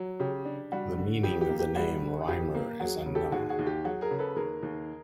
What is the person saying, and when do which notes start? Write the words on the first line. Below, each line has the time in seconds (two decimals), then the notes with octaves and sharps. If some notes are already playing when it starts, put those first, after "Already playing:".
The meaning of the name "Rymr" is unknown.
Already playing: F#3
0.20 C#3 G4
0.45 D4
0.72 G3 F#4
0.98 D3
1.23 F2 G4
1.41 G4
1.50 A#3
1.59 G4
1.75 G3 F#4 G#4
2.02 D3
2.28 F2 G4
2.55 A#3
2.80 F#3 F#4 G#4
3.06 C#3
3.15 G4 A4
3.32 D#2 F#4 G#4
3.49 F#4 G#4
3.59 D#2
3.66 G4
3.84 F#3 F#4 G#4
4.01 G#4 A#4
4.11 C#3
4.19 A4 B4
4.36 D#2 G#4 A#4
4.63 D#2